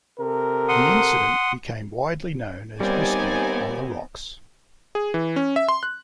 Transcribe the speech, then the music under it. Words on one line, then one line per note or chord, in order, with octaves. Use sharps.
The incident became widely known as Whiskey on the Rocks.
C3 A4 A#4
F#5 C6 D#6
D#2 G3 B3 C4 D#4 D5 G#5
G#4
E3
C#4
E5
C6
F#6